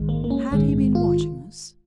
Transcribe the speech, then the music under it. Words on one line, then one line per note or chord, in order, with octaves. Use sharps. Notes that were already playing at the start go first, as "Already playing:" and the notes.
Had he been watching us?
Already playing: A#1 G#2 D#3 G#3
A#3
A#3
C#4
A#1 G#2 D#3 G#3 C#4
F4